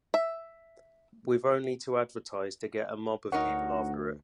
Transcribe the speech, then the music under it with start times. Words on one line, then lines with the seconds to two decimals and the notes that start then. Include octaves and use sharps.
We've only to advertise, to get a mob of people after it.
0.14 E5
3.32 D2 D#4 A#4 C#5 F#5